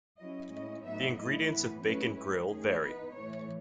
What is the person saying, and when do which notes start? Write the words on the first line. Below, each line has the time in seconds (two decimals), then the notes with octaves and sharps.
The ingredients of Bacon Grill vary.
0.18 F#3 C#4 E4 D#5
0.50 A2 G#3 C#4 E4 D#5
0.84 A2 F#3 B3 D#4 E5
1.16 A2 F#3 A3 E4 D#5
1.49 A2 E3 B3 B4
1.82 F#3 A3 C#4 E4 B4
2.15 A2 G#3 C#4 B4
2.47 D#3 A3 C#4 G#4
2.80 E3 B3 D#4 B4
3.13 A2 E3 A3 C#5